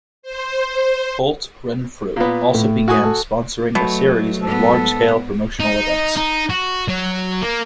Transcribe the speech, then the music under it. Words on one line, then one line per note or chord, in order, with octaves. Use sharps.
Holt Renfrew also began sponsoring a series of large scale promotional events.
C5
A#2 B3
A2
F#4 G#5 D#6
A4
B2 F#3 A3
G#2 B3 A4
D#4
D#4
F#4
F#3
A#3